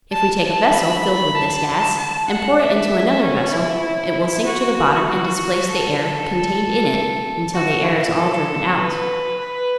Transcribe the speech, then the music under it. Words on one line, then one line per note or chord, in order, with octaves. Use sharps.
If we take a vessel filled with this gas and pour it into another vessel it will sink to the bottom and displace the air contained in it until the air is all driven out.
A5
A5
B5
A5
A5
F#5
E5
C#4
E4
E4
F#4
F#4
A4
F#4
E4
A4
B4
B4